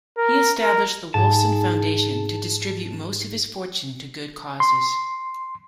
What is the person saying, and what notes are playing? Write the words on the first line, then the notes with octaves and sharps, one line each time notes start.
He established the Wolfson Foundation to distribute most of his fortune to good causes.
A#4
A#4
G#2 G#4 A5
C6